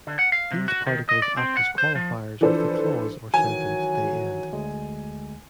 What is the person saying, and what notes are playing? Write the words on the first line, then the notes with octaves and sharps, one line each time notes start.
These particles act as qualifiers of the clause or sentence they end.
D3
F#5
F5
C3
F#4
D#3
D#5
D5
C4
F#5
C5
F3
E3 F3 D4 A4 B4 C5
D#3 E3 F#3 G#5
D2 G#3